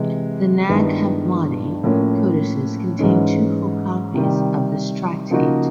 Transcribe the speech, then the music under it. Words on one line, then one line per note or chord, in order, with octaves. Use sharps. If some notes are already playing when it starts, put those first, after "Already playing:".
The Nag Hammadi codices contain two full copies of this tractate.
Already playing: C3 E3 G#3
G2 D#3 G#3 B3 E4
A2 F3 A#3 C#4
G#2 E3 G#3 C#4
C3 D#3 G3
C#3 F3 A#3 D#4 F#4